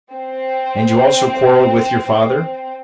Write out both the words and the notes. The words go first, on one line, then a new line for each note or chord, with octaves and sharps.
"And you also quarreled with your father?"
C4 C5